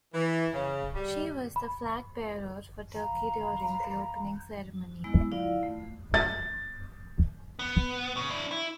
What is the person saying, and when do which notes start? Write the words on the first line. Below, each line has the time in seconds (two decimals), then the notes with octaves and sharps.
She was the flag bearer for Turkey during the opening ceremony.
0.14 E3
0.54 C#3
0.94 G3
1.56 B5
2.95 F5 A#5 B5
5.04 G#3 B3 E4 E6
5.32 E4 F4 D5 F5
5.63 A3
6.14 A6
7.59 B3
8.17 C#3
8.30 D4 E4
8.52 E4